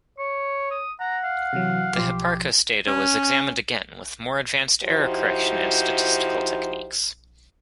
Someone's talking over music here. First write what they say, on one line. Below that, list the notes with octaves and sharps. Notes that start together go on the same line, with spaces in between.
The Hipparcos data was examined again with more advanced error correction and statistical techniques.
C#5 C#6
D#6
F#5 A#5
F5
C3 E3 F#3
B1 F3 G4 C6
C#4
F3 D#4 E4 F#4 G4 C5